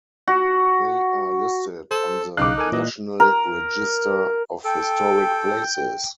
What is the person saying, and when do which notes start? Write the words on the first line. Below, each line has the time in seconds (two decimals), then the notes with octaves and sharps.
They are listed on the National Register of Historic Places.
0.28 F#4
1.91 A4 C5
2.37 B1 C#3 D#4 F5 D6 F#6
2.58 A4 A#4 G#5
2.72 A#2 E3 D#5
3.20 A#4
4.64 A4 G5